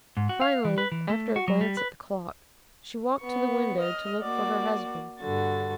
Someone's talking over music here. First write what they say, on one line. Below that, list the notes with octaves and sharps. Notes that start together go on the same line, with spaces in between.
Finally, after a glance at the clock, she walked to the window to look for her husband.
G#2
F#4
F5
E3
B4
E3
A3
F#4
F#3
G3
B4
B3 C#6
D#5 F6
A#3 F#4 D5
G2 D3 F#4 A6